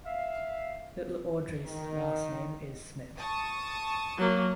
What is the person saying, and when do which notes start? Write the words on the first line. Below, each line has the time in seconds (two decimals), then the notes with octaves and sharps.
"Little Audrey"'s last name is Smith.
0.05 E5 F5
1.65 D#3
3.18 A5 C#6 D#6
4.18 F#3 A#3